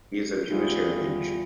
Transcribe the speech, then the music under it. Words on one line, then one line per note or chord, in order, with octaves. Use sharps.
He is of Jewish heritage.
E2 G3 F4 E5 D#6